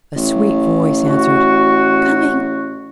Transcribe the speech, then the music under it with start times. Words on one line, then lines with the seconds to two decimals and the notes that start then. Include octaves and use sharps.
A sweet voice answered, "Coming!"
0.16 A1
1.04 F#4